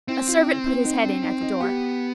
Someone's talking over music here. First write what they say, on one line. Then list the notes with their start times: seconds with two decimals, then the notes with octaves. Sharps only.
A servant put his head in at the door.
0.08 C4 E4
0.27 F4
0.46 E4
0.65 E4
0.84 D#4
1.03 D4
1.22 D#4
1.41 D#4
1.60 B3 G4